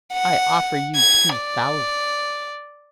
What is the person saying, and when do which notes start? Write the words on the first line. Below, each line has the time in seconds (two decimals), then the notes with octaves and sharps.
"I offer you two thousand."
0.13 F#5
0.95 G#6
1.36 D5